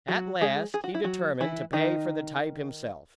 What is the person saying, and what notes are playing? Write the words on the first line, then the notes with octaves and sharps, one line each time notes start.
At last he determined to pay for the type himself.
F#3 F#4
G#3 G#4
G#4
F#4
E4
F#3 F#4
E3 E4
D#3 D#4